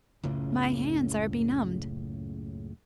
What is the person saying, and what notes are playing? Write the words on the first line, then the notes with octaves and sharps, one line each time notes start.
"My hands are benumbed."
F#1 C#2 A2 C#3